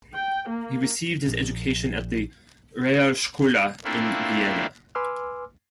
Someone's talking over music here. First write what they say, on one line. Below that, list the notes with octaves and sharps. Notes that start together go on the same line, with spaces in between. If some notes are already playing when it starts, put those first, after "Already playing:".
He received his education at the Realschule in Vienna.
G5
A#3
A#1
A3 A#3 C4 D4 E4 F4
B4 G#5 C6 D6 E6 F6